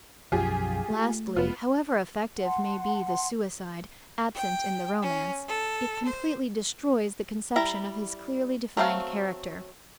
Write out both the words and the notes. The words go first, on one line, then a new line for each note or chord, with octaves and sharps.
Lastly, however effective may be the suicide, absent in the romance, it completely destroys the conception of his clearly defined character.
B1 F#2 F3 F4 G4 G#4
A3
F1 B3 F4
F#5 A5 C6
G5
C#4
A4
C5
G3 E4 A#5
F#3 A3 C4 F5